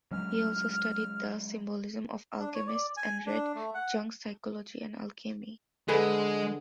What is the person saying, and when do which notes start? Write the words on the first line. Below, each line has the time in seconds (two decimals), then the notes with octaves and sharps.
He also studied the symbolism of the alchemists and read Jung's "Psychology and Alchemy".
0.11 F#3 G#3 C#4 F6
2.39 D4
2.55 C#5
2.67 D5
2.97 G#5
3.26 D4
3.55 A3
3.74 F#5
5.88 D3 G#3 G#4 B4